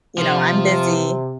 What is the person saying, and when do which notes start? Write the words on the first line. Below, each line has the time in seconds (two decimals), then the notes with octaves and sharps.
you know, I'm busy
0.18 C3 F3